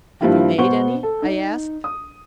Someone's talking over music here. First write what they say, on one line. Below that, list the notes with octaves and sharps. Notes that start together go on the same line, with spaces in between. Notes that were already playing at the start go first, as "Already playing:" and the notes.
"Have you made any?" I asked.
G2 F3 A#3 E4 F4 G4
B2 B3 C5 F#5 C#6 G7
A4
D#4
D#6